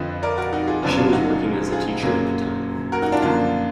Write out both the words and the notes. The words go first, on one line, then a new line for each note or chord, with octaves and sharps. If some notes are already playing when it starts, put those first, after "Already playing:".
She was working as a teacher at the time.
Already playing: F2 D3 F3 B4 D#5
A#4 D5
F#4 A#4
D#4 F#4
F4 G#4
F#1 F#2 D3 F#3 B3 D4 F4
D4 F4
D#4 F#4
F4 G#4
F#2 D3 F#3 A#3
F#4 A#4
D#4 F#4
D4 F4
F#2 D3 F3 A#3 D4 F4